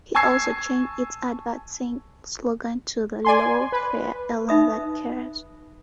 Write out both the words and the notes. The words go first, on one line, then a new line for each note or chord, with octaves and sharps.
It also changed its advertising slogan to "The Low Fare Airline That Cares".
G#5 A5 C#6 E6 G#6 C7
D5 G#5 C6
B4
D#4 E5 D#6